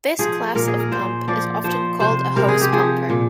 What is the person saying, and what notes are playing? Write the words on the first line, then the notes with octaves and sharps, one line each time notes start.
This class of pump is often called a 'hose pumper'.
F3 G#4
A#2 A#4
G#4
A#4
A#2 C5
F3 D5
F3 C5
C3 C5
C3 A#4
G#4
G4
F3 G#4
A#2